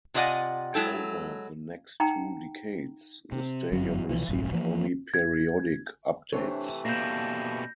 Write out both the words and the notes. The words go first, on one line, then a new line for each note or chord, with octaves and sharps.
Over the next two decades, the stadium received only periodic updates.
C3 F4 D5 D#5 F#5 G#5
F#3 G#3 E4 A4 G5
D#4 F#5 G5 A#5
C3
G1 F#2 F#3
C2 B2 E3 F3
D#1 G#1 F#2 A2
E3 F3 A#3
G#6
C3 E3 A3 D4 C5 C#5
B2 A#3 D4 G6 A#6